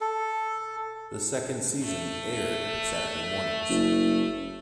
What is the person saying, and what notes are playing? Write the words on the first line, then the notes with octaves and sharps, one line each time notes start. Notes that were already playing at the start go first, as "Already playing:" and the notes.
The second season aired Saturday mornings.
A4
A3
F#1